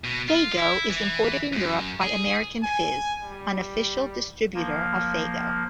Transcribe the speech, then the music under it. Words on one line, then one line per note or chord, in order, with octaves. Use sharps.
Faygo is imported in Europe by American Fizz, an official distributor of Faygo.
B2
F4
E4
E3
F#2
G#4
G#5
G3
F3 A#3